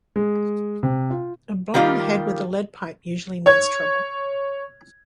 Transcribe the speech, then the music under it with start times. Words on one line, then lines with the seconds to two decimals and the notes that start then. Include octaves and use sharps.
A blow on the head with a lead pipe usually means trouble.
0.16 G#3
0.83 C3
1.10 F4
1.74 D#3 G3 A#3 F4 G4
3.46 C#5 G#6